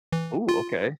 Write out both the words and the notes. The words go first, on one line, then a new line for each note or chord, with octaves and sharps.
Ooh, okay.
E3
F4